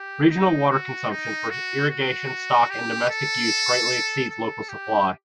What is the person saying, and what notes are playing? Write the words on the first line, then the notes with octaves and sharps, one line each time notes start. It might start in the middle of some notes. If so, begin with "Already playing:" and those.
Regional water consumption for irrigation, stock and domestic use greatly exceeds local supply.
Already playing: G4
D#4
F#4
D#4
F#4
F#4
G4
A4
A4
G4